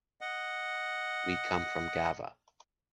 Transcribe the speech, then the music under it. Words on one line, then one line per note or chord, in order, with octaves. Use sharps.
We come from Gavà.
D#5 F#5